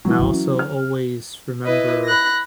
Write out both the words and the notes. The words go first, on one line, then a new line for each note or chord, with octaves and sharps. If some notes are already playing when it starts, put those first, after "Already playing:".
I also always remember,
E3 F#3 G#3 B3
G#1 C#2 C#3
C#4
F6
E4 B4 D#5
B5 F#6 A#6